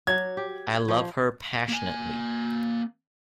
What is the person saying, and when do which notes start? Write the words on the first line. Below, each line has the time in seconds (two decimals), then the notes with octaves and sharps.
I love her passionately.
0.07 F#3 G#6
0.37 G4
0.88 F3
1.69 A#3 G#5